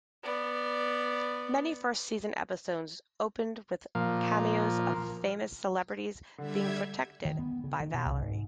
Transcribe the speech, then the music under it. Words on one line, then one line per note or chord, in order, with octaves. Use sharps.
Many first season episodes opened with cameos of famous celebrities being protected by Vallery.
B3 D5
A#2 F3
D3 G3 E5 G#6
D#3
B3
C#3
D#3
B2
C2
G#2